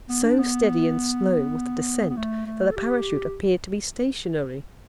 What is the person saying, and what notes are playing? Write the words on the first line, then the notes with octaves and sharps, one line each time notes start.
So steady and slow was the descent that the Parachute appeared to be stationary.
B3
D4
B3
B3
A3
A3
A4
G4